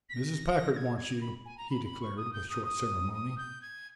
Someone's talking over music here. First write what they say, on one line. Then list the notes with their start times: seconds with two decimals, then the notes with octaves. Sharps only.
"Mrs. Packard wants you," he declared with short ceremony.
0.09 B6
0.13 A#6
0.72 A#6
0.76 G#6
0.97 G#6
1.21 B5
1.45 G#5
1.57 A#5
1.70 B5
1.85 B5
2.01 C#6
2.17 D#6
2.33 G6
2.49 D#6
2.65 D#6
3.13 D#6
3.37 G6
3.61 G#6